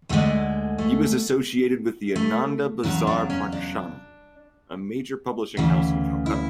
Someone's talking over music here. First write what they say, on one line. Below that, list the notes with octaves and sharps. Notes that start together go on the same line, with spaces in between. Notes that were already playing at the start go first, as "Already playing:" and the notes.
He was associated with the Ananda Bazar Prakashana, a major publishing house in Calcutta.
D2 D3 G#3 A3
A3
A3
E2 C#3 F#3 C#4
D4
C#4
D4
D2 C#3 E3
E4